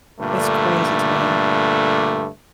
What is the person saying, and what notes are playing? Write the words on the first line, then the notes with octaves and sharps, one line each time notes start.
It's crazy today.
G2 A#2 D3 A3